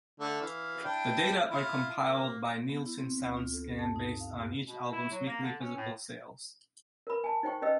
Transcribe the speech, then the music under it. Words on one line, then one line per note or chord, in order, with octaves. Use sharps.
The data are compiled by Nielsen Soundscan based on each album's weekly physical sales.
D3 A3 A4
E3 F5
D4 E4 G5
E4 F4 F5
A#3
B3
E4
C4
D2
F4
A4
G2
A5
D#4
F5
G2
B2
E4
F#3
A#3
D3
C#4
A2
A#4 B4 B5
G#5 A5
D#4 C5 G5 C#6
C#4 B4 D#5 G5 E6